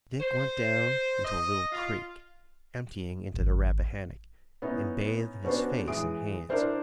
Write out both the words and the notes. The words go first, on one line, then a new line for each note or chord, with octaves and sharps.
Dick went down into a little creek, emptying into the Rappahannock, and bathed his face and hands.
C5
D#5
F4
G#1
B3 C#4 D#4 E4
B3 C#4 D4 F#4 B4 C5
E3 G#3 D#6 D7
D4 E4 A#4 C5 D5